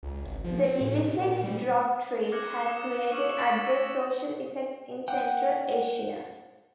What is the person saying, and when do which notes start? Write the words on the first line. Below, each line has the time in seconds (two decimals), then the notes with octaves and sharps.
The illicit drug trade has created adverse social effects in Central Asia.
0.03 C#2
0.25 G#1
0.44 F3
0.63 C4
0.81 A2
1.05 C3
1.18 A#2
1.43 G3
2.32 D6 F6 F#6 G#6 A#6 C#7
2.63 D#6 C#7 E7
3.12 C#6 D6 E6 F6 E7 F#7
3.37 A6 B6 D7 E7 F#7
3.66 C#6 E6 A#6 C#7
5.08 F#5 G5